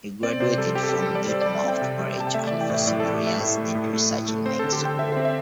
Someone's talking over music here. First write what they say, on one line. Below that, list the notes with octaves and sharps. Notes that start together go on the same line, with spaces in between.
He graduated from Dartmouth College and for several years did research in Mexico.
C4 D5
C3 C5
G3 A4
C4 G4
A4
G3 G4
A4
G3 D5
G3 C5
G3 D5
E5
C4 G5
C3
G3
C3 A5
G5
A3 E5
E3 D5
G5
A2 E5
A2 D5
A4
A2
G4
A3 E5
A2
A3
A2
A3
A2
A3
C4 C5
D3 A4
G4
D3 G5
D3 E5
C4 C5
E5